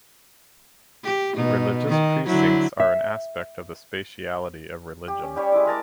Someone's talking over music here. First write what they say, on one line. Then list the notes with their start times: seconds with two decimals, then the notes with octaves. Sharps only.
Religious precincts are an aspect of the spatiality of religion.
1.04 G4
1.36 B2 D#4
1.88 D#3
2.25 D3 F#3 E4
2.80 E5
5.08 G4
5.23 C#4
5.36 G3 G4 C#5
5.52 G#3 E4 D6
5.66 G#3 A#4 A5 D6